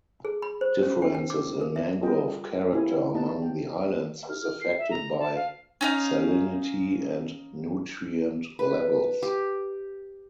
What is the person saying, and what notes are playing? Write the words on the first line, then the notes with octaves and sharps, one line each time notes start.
Differences in mangrove character among the islands is affected by salinity and nutrient levels.
G#4
B5
C5
C#4
G5
G5
D6
A#4
E5
G3 F4 G#4 A#4 D#5 G5
A#3 C4 E4 G4 G#5
B3 D#4 G4 F#5 A5
G5
F6
F6
C7
E5
A#5
A5
F5
C#4 D#4 F5
B4
G4